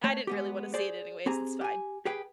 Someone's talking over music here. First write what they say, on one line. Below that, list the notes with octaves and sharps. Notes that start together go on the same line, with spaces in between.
I didn't really wanna see it anyways, it's fine."
A3 C#5
G#3 B3 G4
G#4 C5 D5
C4 G4 G#4 A#5
G4 G#5
G4 G#4 B4 G5